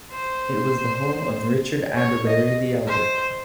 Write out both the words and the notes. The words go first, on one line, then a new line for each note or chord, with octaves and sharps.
It was the home of Richard Abberbury the Elder.
C5
C#5
D#5
C5